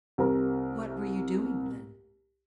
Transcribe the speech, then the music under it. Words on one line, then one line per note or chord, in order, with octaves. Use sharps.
"What were you doing, then?"
C2 C3 A#4 A#5